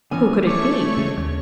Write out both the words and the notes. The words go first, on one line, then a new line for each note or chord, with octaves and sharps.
Who could it be!
D3 E3 B3 C#4 G#5
A3 C#5 C#6 D6
C#3 G#3
D#2 C#3 C#5